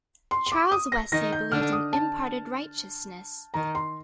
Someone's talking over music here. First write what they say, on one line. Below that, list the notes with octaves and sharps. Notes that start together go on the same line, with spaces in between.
Charles Wesley believed in imparted righteousness.
C6
C6
D6
D#6
A#6
D#3 D#4 A#6
G6
D3 D4 F6
D#6
A5
D#3 A#5
C6